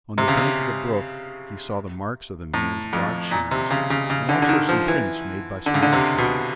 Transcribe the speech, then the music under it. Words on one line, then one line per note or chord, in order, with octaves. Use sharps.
On the bank of the brook he saw the marks of the man's broad shoes and also some prints made by smaller shoes.
C3
C#3
C3
A2
F2
A#2
C3
C#3
C#3
C#3
D3
D3
D#3
F3
E3
D3
C#3
D3
C3
B2